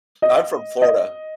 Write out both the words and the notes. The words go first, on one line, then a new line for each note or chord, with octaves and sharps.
I'm from Florida.
D#5
D#5